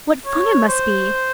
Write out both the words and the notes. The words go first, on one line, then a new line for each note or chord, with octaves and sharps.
"What fun it must be!"
C#5
C5